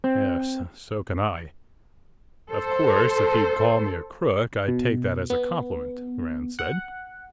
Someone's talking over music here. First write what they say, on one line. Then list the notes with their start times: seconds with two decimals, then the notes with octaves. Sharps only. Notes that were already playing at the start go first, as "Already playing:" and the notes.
"Yes, so can I. Of course, if he'd call me a crook, I'd take that as a compliment," Rand said.
0.04 C4
2.50 A4 C5
4.68 B2
5.30 B3
6.59 F#5